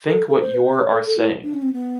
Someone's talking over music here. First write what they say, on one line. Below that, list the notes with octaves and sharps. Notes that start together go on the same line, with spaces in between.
Think what your are saying.
A4
A4
C5
B4
C5
C#5
A4
A4
E4
D4
C#4
C4
B3